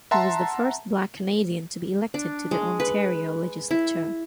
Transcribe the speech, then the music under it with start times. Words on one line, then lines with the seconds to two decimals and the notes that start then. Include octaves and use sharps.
He was the first Black Canadian to be elected to the Ontario Legislature.
0.11 E5 F#5 A5 A#5 C6
2.14 D4
2.51 G#3
2.80 B4
3.71 E4